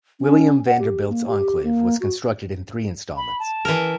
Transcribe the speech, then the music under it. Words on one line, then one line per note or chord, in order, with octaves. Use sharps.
William Vanderbilt's enclave was constructed in three installments.
C#4
F#5
G4
A#3
G4
A#3
F#4
B5
A5
E3 A#4